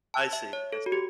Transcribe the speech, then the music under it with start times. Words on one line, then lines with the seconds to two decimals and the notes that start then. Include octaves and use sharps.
I see, I see.
0.14 A5
0.33 E5
0.53 C#5
0.73 A4
0.86 F#4
0.92 G4